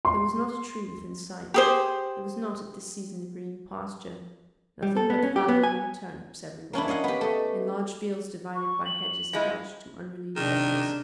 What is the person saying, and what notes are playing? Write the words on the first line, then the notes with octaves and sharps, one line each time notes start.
There was not a tree within sight; there was not, at this season, a green pasture--nothing but fallow and turnips everywhere, in large fields divided by hedges plashed to unrelieved levels.
C6
G4 G#4 C5
G3
A4
B3
C#4
G4
B3
G#5
A#3 C#4 D4 E4
C#5 D#5 F5 F#5
B3 G4
A3 D#5
C#6
F#7
F3 G#3 E4
C3 D#3 D4 G#4